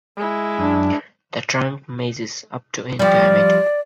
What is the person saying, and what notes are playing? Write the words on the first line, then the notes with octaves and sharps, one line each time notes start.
The trunk measures up to in diameter.
G#3 E4
F#2 D4
F3 G3 D5